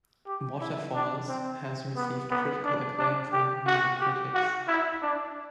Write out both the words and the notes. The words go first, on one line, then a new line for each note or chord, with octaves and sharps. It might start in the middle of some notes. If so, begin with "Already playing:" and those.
"Waterfalls" has received critical acclaim from music critics.
G4
E4
D4
C4
B3
B3
D4
D4
G4
F#4
G4
F#4
E4
D4